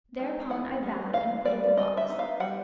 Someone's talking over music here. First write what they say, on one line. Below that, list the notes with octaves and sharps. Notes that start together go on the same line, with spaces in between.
Thereupon I bowed and quitted the box.
G#3 C4 D#4
E3 F#5
G3 B3
E3 F5
G3 B3 D5
G3 D#5
E5
B3 D#4
F5
G3 F#5